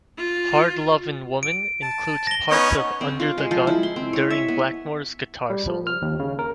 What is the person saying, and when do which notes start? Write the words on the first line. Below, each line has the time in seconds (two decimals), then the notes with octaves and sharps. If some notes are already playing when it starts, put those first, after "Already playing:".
"Hard Lovin' Woman" includes parts of "Under the Gun" during Blackmore's guitar solo.
0.18 F4
1.43 D7
1.82 A5
2.27 A#6 G7
2.50 B3 C#4 D#4 C#5
3.01 C4
3.20 F4
3.38 G#3
3.51 F3
3.67 E4
3.83 C6
3.96 C4
4.13 C#5
4.30 E5
4.48 B3
5.50 G3
5.67 F3
5.87 F6
6.02 D#2
6.19 C#3
6.39 A#4